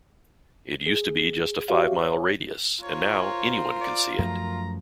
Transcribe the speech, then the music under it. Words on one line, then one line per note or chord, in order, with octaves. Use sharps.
It used to be just a five-mile radius, and now anyone can see it.
G#4
F#4 G4 C#5 E5 F5
C#5
F4 A#4 C5 C#5
D5
F#2 F3 A3 A#5